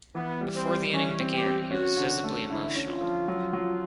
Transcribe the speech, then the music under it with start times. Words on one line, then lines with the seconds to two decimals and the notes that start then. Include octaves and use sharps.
Before the inning began, he was visibly emotional.
0.15 E3 B3
0.41 G3
0.54 C4
0.67 G3
0.93 E3 C#4
1.20 C4
1.32 G4
1.46 C4
1.71 C#4 F#4
1.97 D3
2.24 A3
2.50 D3 E4
2.76 C#4
2.88 F4
3.01 F3
3.28 F#3
3.53 F#3